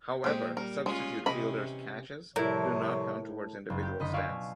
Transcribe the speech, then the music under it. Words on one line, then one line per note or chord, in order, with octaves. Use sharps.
However, substitute fielders' catches do not count towards individual stats.
A#2 G#3 C4 G4
G3 A#4
G#3 C#4 F4 G#4
C3 E3 C#4 D#5 B5
A2 C3 F3 G3 E4 A#4 C#5
F#1
G4
F#1 D3 D#5 D#6 B6
F4 D5 F5 G#5 C#6 E6
B2